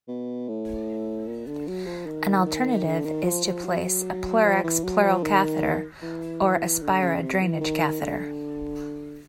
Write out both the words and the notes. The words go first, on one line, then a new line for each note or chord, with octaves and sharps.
An alternative is to place a PleurX Pleural Catheter or Aspira Drainage Catheter.
B2
A2
A#2
D3
F#3
F3
D#3
E3
D#3
D3
D#3
F3
F3
F#3
F3
E3
F#3
F3
D#3
E3
D3
C#3
C3
E3
D#3
D3